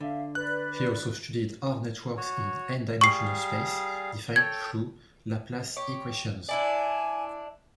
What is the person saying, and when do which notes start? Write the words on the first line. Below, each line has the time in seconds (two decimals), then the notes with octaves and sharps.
He also studied R-networks in n-dimensional space, defined through Laplace equations.
0.01 D3 E5 F5
0.35 B4 D5 F#6
2.17 F#4 C#5
3.01 G3 G#4 F5 C#6 C7
4.36 A4 C#5 G5 G#6
5.76 G4 C#5
6.48 D4 E4 D5 G#5